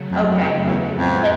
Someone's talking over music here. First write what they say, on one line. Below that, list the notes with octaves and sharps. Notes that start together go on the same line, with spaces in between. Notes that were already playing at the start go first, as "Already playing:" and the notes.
okay, okay. Like
Already playing: C#3 F#3 A3
F2
F#2
F2
E2
F2 A2 F3 G#3 B3